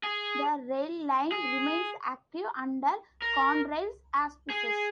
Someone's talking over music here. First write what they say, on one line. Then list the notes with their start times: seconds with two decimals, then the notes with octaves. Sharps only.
The rail line remains active under Conrail's auspices.
0.03 G#4
1.32 G#4
3.22 A#4
4.50 G#4